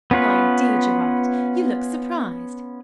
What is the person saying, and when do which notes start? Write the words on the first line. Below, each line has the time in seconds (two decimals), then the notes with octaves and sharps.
My dear Gerard! you look surprised.
0.11 B3 C#4 F4 B4